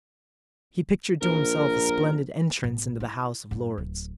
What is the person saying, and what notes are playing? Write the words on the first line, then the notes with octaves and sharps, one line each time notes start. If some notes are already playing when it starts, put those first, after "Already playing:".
He pictured to himself a splendid entrance into the House of Lords.
A#1 A#4
A1 B3
E4
G2 B3
D1